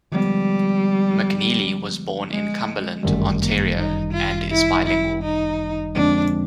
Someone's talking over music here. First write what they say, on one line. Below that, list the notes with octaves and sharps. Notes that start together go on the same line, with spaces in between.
McNeely was born in Cumberland, Ontario and is bilingual.
D3 F3 G3 G#3 B3
G#3
G1 F#2 D#3 G3 A3
A#3
D#4
F4
E4
E4
D#4
F2 D3 F3 G#3 C4 D4